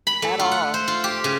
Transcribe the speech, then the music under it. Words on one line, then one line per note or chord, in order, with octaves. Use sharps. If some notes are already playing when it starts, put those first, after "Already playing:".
At all.
B5
A3
F4
F#5
C5
F4
G4
C#3